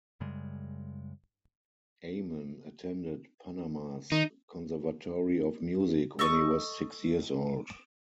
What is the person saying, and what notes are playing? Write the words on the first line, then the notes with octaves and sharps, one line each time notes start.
Amen attended Panama's Conservatory of Music when he was six years old.
F#2 C#3 G3 G#3
D#3 D#4
A4 D#5 C#6 D#6